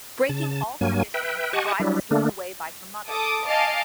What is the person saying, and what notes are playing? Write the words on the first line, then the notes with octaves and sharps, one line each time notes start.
Breaking all tradition, the bride was given away by her mother.
C#3 A5
G2 F#3 A#3 G#5
B4 E5 G5
G4 D#5 F#5 G#5 A5 C#6
F#3 G3 D4 E4
D3 A3 A#3 D4
A4 D6 D#6
D#5 F5 G#5 A5 D6